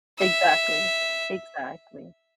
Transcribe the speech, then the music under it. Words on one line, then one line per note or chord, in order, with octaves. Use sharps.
Exactly. Exactly.
E5